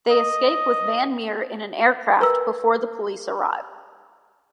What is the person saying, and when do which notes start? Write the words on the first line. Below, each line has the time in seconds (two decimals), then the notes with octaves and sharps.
They escape with Van Meer in an aircraft before the police arrive.
0.10 D#5
2.20 A#4 B4 A#5 E6